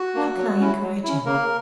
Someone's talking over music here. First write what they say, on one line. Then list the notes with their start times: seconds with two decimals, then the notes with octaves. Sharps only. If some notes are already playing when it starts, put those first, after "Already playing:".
"How can I encourage him?"
Already playing: F#4
0.15 A#3 D4
0.37 F#3
0.60 C#4 E4
0.82 F#3
1.04 C#4 E4
1.26 C#3 A#3 A#4